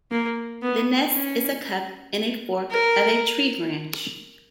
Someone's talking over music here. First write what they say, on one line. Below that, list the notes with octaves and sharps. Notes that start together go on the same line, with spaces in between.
The nest is a cup in a fork of a tree branch.
A#3
B3
C#4
A#4